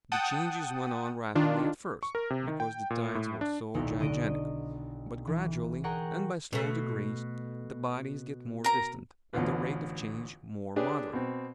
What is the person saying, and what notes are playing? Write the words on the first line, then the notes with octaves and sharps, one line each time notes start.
The changes went on rapidly at first, because the tides were so gigantic; but gradually, and by slow degrees, the bodies get more distant, and the rate of change more moderate.
F#5 G5 A5 D#6
D#3 D4 F4
C#6
A#4
C3
D#3
G5
A#2
A2
D4
D#1 B1 D#4 E4
D3 D#5 D#6 D7
E3
G#4 A#4 F#5 G5 A#5 C#6
B2 A3
A#4 A#5
A1 D2 B2 F4 B4
D4 G4 G#4 B4 C#5 D5
B2 C4